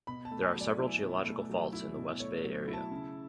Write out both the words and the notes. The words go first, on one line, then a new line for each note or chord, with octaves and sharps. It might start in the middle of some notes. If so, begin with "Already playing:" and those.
There are several geological faults in the West Bay area.
B2 B5
A5
A3
G#5
F#3
D5
E4
B2
A3
F#3
E4
B2
A3 C#5
F#3
E4
A5
C#3